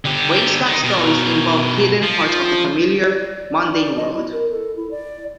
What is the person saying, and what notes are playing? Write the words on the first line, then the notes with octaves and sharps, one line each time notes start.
Wainscot stories involve hidden parts of the familiar, mundane world.
D3 G4
D#3
B2 A#4
F3
D5
D5
D5
D#5
E4
A#4
A4
E4
D5